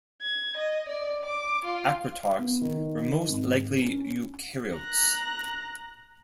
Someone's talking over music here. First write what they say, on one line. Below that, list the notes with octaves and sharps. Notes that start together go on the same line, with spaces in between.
Acritarchs were most likely eukaryotes.
G#6
D#5
D5
D6
F4
B3
D#3
G#1
C#4
A#5 F#6